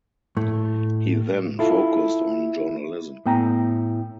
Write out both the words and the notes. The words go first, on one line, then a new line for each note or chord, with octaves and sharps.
He then focused on journalism.
A2 A3
E4 F4 A4
A2 B3 G5 G#5 A#5